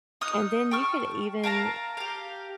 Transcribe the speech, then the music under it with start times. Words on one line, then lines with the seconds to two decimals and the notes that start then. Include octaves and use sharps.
and then you could even
0.21 D#4 D#6 F6 F#6
0.71 G5 A5 C#6 F6
1.43 A#4 F5 A5 A#5
1.97 G4 F5